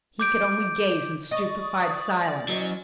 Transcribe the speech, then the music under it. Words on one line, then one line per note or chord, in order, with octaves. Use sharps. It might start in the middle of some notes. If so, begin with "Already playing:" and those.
He could only gaze in stupified silence.
D6 G6 D7
D5 D#5 C#6 D#6
F#3 C#4 E4 C5 D#5